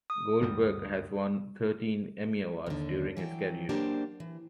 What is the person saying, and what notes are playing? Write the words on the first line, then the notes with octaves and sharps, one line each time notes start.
Goldberg has won thirteen Emmy Awards during his career.
D#6
D2 G2 G3
D#2 D3
E3 F#3 G5
F#3 A#3 D4 G4 C5
E3